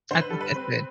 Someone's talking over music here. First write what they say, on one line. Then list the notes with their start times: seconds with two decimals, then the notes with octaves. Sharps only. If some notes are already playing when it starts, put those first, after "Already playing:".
I think that's good.
0.11 D3 C5
0.21 B4
0.30 G3 A4
0.41 B4
0.55 C4